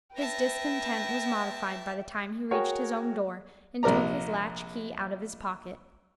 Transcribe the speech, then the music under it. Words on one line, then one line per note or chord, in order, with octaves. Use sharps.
His discontent was modified by the time he reached his own door, and took his latch-key out of his pocket.
B4 E5 G5 A5 A#6
F#4 G#4 A#4 C#5 G5 C#6
A#1 C3 A#4 D5 A#5